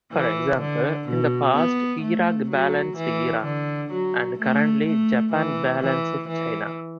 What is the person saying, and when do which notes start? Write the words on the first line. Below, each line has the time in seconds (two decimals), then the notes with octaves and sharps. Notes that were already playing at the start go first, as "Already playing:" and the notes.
For example, in the past, Iraq balanced Iran, and currently Japan balances China.
0.13 E3
0.60 D3
1.08 B2
1.55 B3
2.02 A3
2.50 F#3
2.97 E3
3.44 D3
3.91 F#3
4.39 A3
4.86 A3
5.33 E3
5.81 E3
6.28 E3